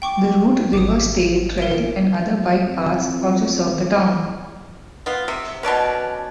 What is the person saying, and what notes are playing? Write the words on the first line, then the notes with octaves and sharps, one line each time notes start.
The Root River State Trail and other bike paths also serve the town.
G5 C#6 D6
G#1 D6 D#6
A#4 D7
F2
B3 F4
C3 E5
B2 C#4 B4 D5 A5